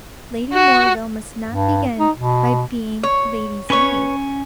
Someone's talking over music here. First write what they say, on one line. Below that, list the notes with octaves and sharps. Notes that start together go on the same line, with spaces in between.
'Lady Morville must not begin by being lady's-maid.'
F#4
G2
D#4
B2
C#5
C#4 B4 C#5 C#6